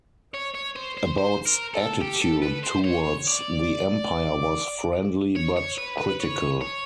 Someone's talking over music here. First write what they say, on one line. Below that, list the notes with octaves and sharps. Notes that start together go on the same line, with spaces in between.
About's attitude towards the empire was friendly but critical.
C#5
C#5
C5
C5
C5
A#4
A4
G4
A4
B4
C5
C#5
D5
C#5
C#5
B4
B4
C#5
C#5